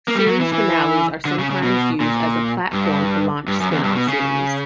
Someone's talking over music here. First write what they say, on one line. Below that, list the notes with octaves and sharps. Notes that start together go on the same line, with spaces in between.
Series finales are sometimes used as a platform to launch spinoff series.
A#3
G3
F#3
E3
E3
D3
C#3
C#3
B2
A#2
G2
G2
F#2
E2
G2
B2
C#3